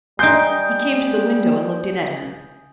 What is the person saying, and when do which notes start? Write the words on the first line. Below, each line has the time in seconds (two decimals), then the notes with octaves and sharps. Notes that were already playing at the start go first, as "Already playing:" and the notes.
He came to the window, and looked in at her.
0.19 G3 D#4 G#5 C6 D#6 G6 D7